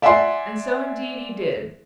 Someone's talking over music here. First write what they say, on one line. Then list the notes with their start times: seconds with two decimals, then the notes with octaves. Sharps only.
And so indeed he did.
0.02 D5 E5 F#5 G#5 C6